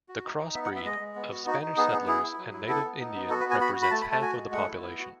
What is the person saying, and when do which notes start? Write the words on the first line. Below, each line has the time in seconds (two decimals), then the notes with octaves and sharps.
The cross-breed of Spanish settlers and native Indian represents half of the population.
0.09 F#4
0.25 D#4
0.39 D#4
0.54 B3 E5
0.65 F#5
0.70 B3
0.76 E5
0.85 G#3 D#5
1.00 G#3
1.16 B3
1.32 F#4
1.46 D#4 F#4
1.61 D#4
1.77 B3 G#4
1.92 B3 G#4
2.07 E4 G#4
2.23 E4
2.38 F#3
2.53 E4
2.68 B3 A4
2.83 B3
2.99 D#4
3.15 B3
3.29 F#4 A4
3.40 B4
3.45 B3
3.51 G#5
3.61 F#4 B5
3.75 F#4
3.82 B5
3.91 A3 A5
4.01 B5
4.06 A3
4.11 A5
4.21 F#4 G#5
4.37 G#3
4.52 A3 F#5
4.68 E4
4.83 B3
4.99 F#4